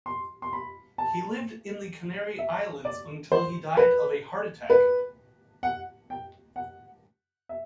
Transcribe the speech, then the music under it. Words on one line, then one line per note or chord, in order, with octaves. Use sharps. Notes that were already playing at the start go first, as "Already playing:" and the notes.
He lived in the Canary Islands until he died of a heart attack.
C6
C6
B5
A5
E5
D5
C5
B4
B4
F#5
G5
F#5
E5